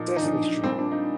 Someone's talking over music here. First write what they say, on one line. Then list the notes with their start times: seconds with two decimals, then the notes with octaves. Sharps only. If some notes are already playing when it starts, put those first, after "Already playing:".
Sesame Street.
Already playing: A#2 F3 D#4
0.16 D#4
0.22 A#2 F3 D4
0.64 A#2 G3 C4
0.78 D4
0.92 D#4